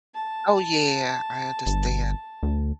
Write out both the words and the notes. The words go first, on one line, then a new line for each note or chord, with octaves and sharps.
Oh, yeah. I understand.
A5
G1
D2